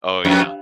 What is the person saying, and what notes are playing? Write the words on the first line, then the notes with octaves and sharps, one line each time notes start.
Oh, yeah.
F2